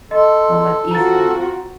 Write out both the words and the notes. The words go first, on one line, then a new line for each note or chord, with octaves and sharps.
So much easier.
A4 D#5 C6
C4 F4 F#4 A#5 A6